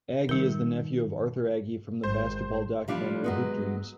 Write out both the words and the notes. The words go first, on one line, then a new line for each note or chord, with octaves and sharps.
Agee is the nephew of Arthur Agee from the basketball documentary "Hoop Dreams".
D#3 G3 A#4
G#1 C5
F3 G3 D4 E4 F4
F#3 G#3 B3